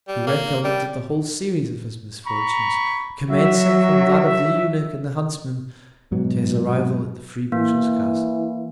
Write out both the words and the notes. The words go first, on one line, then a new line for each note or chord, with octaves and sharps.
He recollected the whole Series of his Misfortunes; commencing from that of the Eunuch and the Huntsman, to his Arrival at the Free-booter's Castle.
G3
A#3
G3
A#5 B5 C#6
F#3 E5
G#2 B2 F#3
E3 A#3